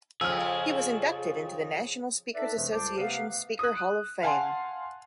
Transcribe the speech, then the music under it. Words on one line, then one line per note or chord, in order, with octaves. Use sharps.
He was inducted into the National Speakers Association Speaker Hall of Fame.
F2 C#3 F3 G#4 E6 F6
D#4 A4 B4 D5 E5
G2 C#3 F3 A3 C4
C#2 G3 A4 C5 A5 D6
C3 A3 B3 B4 F5
D#6 F#6
F5 F#5 G#5 A5 C6